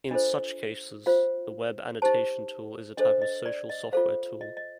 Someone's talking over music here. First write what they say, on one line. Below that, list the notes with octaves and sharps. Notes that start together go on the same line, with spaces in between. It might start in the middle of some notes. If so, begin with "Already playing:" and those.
In such cases, the web annotation tool is a type of social software tool.
D4 F4 A4 C5 D#5
F4 C5 F5
D#4 G4 C5 A5
D4 A4 C5 D#5
D#5
D5
D#5
F4 A4 C5 F5
D#5
D#5